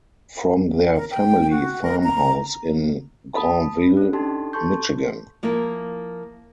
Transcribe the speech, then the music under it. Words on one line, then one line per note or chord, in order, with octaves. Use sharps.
From their family farmhouse in Grandville, Michigan.
A#4
G5
F#4
A#4
A#5
A5 B5 D#6
C#4
D4 D#4 G4 A4 A5 C6
A4 A5 C6 C#6 G6
F3 A#3 E4 F4 A#4